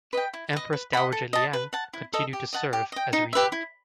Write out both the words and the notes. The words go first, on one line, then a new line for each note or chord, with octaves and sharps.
Empress Dowager Liang continued to serve as regent.
B4 D#5 G5
E4
B4 D#5
B4
D#5 F#5 B5
A4
D#5 A5
B4
F#5 A5
E4
A4 D#5
G4
D#5 F#5 A5
G4
D#5 G5
D#4
G4 B4 E5
E4